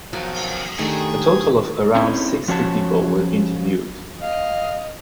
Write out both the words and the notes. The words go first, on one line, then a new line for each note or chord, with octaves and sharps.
A total of around sixty people were interviewed.
B1 D#3 F3 F#3
D#3 A3 D4 G4 G#4 D#5
C4 C#4 D#4 E4
F3 C#4 F#4 C#5 G#5 A5
D#5 F5